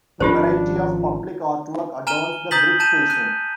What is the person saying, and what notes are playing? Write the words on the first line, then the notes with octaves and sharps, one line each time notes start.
A variety of public artwork adorns the brick station.
G#1 D#3 F3 C#4 D4 F4 G4 C5
G#5 A#5 F6 D#7 E7 G7
A#5 D#6 G6 A6 B6 F#7
A5 G6 D#7 E7
F#6 D#7